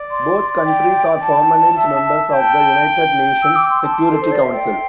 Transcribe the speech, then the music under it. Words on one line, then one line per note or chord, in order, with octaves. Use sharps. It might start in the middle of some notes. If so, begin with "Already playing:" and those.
Both countries are permanent members of the United Nations Security Council.
Already playing: D5
C6
G5
A5
E5
G5 A5
E6
D6
C6
A5
C6
A4
C5
D5
E5
G5